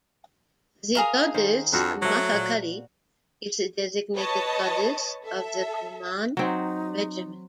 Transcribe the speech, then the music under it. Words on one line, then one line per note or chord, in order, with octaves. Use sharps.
The goddess Mahakali is the designated goddess of the Kumaun Regiment.
G#4 A#4 F5
D#3 C5
F2 D4 F#4
F#3 A3 C5 D#5
A#2 F#4 F#5
B4 C#5 D#5 A5
A4 E5
F#3 C4 D#4